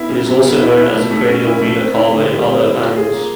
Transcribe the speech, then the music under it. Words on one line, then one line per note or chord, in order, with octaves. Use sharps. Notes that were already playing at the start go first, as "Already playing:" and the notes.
It is also known as the cranial vena cava in other animals.
Already playing: B3 E4
C#3
F#3
B3
E4
E4
A3
A3
C#4
E4
A3
C4
E4
D3
G3
C4
E4
F4
G#4
A#3